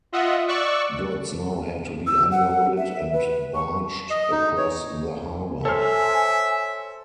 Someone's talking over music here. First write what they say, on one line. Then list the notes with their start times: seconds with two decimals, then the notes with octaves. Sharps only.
Goods now had to be unloaded and barged across the harbor.
0.12 F4 D#5 E5 F#5
0.48 D5 C#6 E6 F#6
2.07 E6
2.32 F#5
2.78 E5
3.13 B4
3.55 C#6
4.10 D#5
4.32 D#4
4.57 C#5
5.65 A4 C5 C#5 E5 G#5 F6